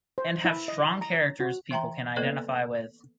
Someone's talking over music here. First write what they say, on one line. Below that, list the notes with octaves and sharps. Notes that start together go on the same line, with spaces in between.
And have strong characters people can identify with.
C5
E4
D#5
A#5
F#4
E3 E5 G5 A#5 C6
A#3 B3 A4 B4 D5 D#5